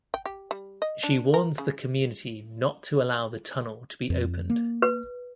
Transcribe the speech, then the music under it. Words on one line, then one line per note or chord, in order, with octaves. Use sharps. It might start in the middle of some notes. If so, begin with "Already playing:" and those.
She warns the community not to allow the tunnel to be opened.
G5
G4
G3
D#5
D4
A#4
C#3
F2
A#3
B4